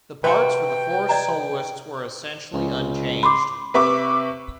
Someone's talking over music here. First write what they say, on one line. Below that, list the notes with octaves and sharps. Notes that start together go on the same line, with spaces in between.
The parts for the four soloists were essentially unchanged.
C3 F#4 B4 G5
D5 D#5 A#5
C#2
B5 C6 D6
C3 B4 E5 C#6 D6